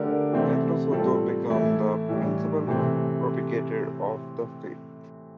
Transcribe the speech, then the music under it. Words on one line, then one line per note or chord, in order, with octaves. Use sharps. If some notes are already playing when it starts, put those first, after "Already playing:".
Pedro Soto, he became the principal propagator of the Faith.
Already playing: D3 A3 D4 G4 A#4
C3 E3 A3 C4
A2 G3 C4 F4 A4
A2 E3 A3 E4
A2 E3 G3
C3 E3 A3 C4